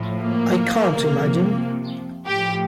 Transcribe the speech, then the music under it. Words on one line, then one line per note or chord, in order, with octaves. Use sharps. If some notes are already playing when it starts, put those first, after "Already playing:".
I can't imagine.
Already playing: A2 F3
A#3
C3 F3
A2 F3 G4